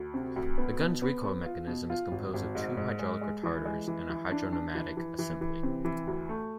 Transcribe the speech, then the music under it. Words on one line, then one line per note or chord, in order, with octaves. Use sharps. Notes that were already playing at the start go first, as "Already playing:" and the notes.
The gun's recoil mechanism is composed of two hydraulic retarders and a hydropneumatic assembly.
Already playing: D2
C3
D2
B3
B2
B3
B3
F4
B2
F4
G#1
G#1
G#2
G#2
G#3
G#3
E3
G#3
E3
E3
D4
D4
E3
E3
E3
E3
C3
E3
D2
A3